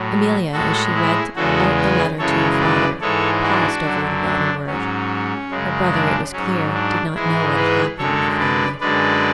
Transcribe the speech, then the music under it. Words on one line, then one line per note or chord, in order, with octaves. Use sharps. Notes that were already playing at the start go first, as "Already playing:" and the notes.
Amelia, as she read out the letter to her father, paused over the latter word; her brother, it was clear, did not know what had happened in the family.
Already playing: A2 F#3
A2 G#3 F#4 A4
E4 G#4
E2 C#3 E3 G#3 F#4 A4
G#4 B4
F#2 C#3 E3 G#3 A4 C#5
B4 D5
G#2 E3 G#3 A4 C#5
D4 F#4
F#2 D3 F#3
D4
G#2 F#3 C#4
F#2 C#3 G#3
D4
G#2 F#3 C#4
D4
G#2 E3 G#3 E4 G#4
G#4 B4
F#2 D3 G#3 A4 C#5
B4 D5
F#2 D3 G#3 B4 D5